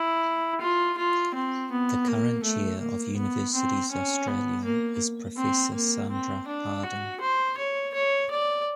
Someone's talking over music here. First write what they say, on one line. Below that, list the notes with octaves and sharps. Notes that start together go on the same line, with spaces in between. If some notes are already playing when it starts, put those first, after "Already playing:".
The current chair of Universities Australia is Professor Sandra Harding.
Already playing: E4
F4
F4
C4
B3
A#3
A3
A#3
B3
C4
C#4
B3
A#3
C4
A#3
C4
D4
F#4
C5
C#5
C#5
D5